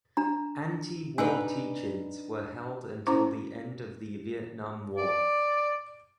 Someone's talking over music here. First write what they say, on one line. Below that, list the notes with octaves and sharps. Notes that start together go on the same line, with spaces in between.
Antiwar teach-ins were held until the end of the Vietnam War.
D4 A#5
D4 D#4 B4 G#5 E6
C#4 E4 C5 A#5 C#6 D6
D5